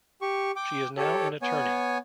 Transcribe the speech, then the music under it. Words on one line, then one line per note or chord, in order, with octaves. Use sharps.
She is now an attorney.
G4 C#6
G5 D6
G4 A4 C#5
B3 C#5 G#5